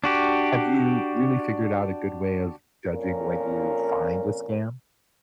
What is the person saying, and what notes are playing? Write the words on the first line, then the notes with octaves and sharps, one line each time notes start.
Have you really figured out a good way of judging when you find a scam?
D4 F#4 G4
F2 A#2 C#4 A#4